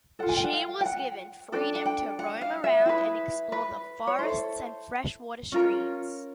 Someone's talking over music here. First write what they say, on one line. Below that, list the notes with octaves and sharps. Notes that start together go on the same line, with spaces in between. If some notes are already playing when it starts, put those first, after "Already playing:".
She was given freedom to roam around and explore the forests and freshwater streams.
F4 A4 F#5
G#5
G5
F#5
F5
G5
F#5
D4 F#4 A4 G5
F#5
G5
F#5
F5
E5
E4 G#4 B4
B4
C#5
E4 A4 C5
C#4 F4 A#4 C#5